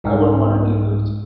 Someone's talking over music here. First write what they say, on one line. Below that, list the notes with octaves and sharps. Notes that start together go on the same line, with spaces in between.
I wouldn't want any of those.
C2 G#2